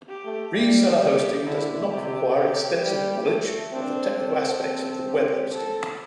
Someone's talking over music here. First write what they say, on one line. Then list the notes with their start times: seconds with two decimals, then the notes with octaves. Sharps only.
Reseller hosting does not require extensive knowledge of the technical aspects of web hosting.
0.09 G4
0.25 A3
0.54 G3 G4
1.00 G4
1.45 D3 E4
1.91 C3 G4
2.35 C3 G4
2.81 G3 G4
3.27 A3
3.72 C4 D4
4.17 C4 A4
4.63 C4
5.07 G4
5.53 A4